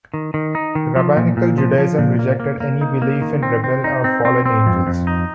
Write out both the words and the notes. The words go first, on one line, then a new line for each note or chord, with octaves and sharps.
Rabbinical Judaism rejected any belief in rebel or fallen angels.
D#3
D#3
D#4
D#3
F3
A#2
A#2
F3
F3
A#2
A#3
A#3
A#3
D#4
A#3
D#3
C4
C4
D#4
C4
C4
C4
F2
F2
D#4